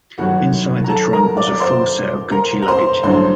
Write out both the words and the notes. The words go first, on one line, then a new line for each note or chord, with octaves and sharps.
Inside the trunk was a full set of Gucci luggage.
G1 F#2 D#3 F#3 F#4 F#5
A#5
A4 A5
A#4 A#5
D5 D6
C5 C6
A#4 A#5
A#5
C5 C6
A1 G2 D3 F#3 C5 C6